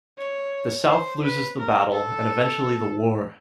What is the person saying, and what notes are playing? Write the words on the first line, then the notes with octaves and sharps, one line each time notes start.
The South loses the battle, and eventually the war.
C#5
C5
B4
A#4
A4